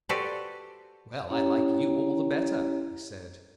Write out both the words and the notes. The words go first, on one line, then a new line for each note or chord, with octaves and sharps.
"Well, I like you all the better," he said.
F#4 G4 A4 B4 C5 D5
C#4 E4 G4 C#5 G5 A#5